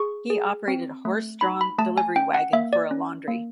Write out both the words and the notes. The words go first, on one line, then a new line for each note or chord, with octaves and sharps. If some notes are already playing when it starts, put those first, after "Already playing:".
He operated a horse-drawn delivery wagon for a laundry.
Already playing: G#4 C#6
G#4
C4
A3
D#4 B5
B5
A3 A5
G#5
C#4 G5
F#5
A#3 E5
D5
C#4
A#3